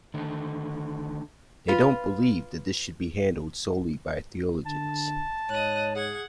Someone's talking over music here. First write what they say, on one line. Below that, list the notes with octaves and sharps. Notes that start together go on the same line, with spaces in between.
They don't believe that this should be handled solely by theologians.
D3 D#3 A3
F4 B4
D3 A5
G#2 C#5 D#5 F#6
G#4 F#5 G#6